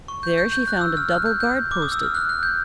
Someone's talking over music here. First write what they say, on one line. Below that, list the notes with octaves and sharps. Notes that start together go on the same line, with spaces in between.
There she found a double guard posted.
C#6
G6
G6
G6
F#6
E6
F6
F#6
G6
G6
D6
D#6
E6
F6
F#6
F#6
G6